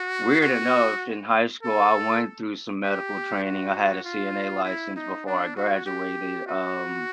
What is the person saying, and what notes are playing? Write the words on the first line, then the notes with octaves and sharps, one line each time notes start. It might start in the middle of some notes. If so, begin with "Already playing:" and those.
weird enough in high school, I went through some medical training. I had a CNA license before I graduated, um,
Already playing: F#4
F#4
A4
G4
F#4
F4
E4
D#4
D4
F#4
G4
F#4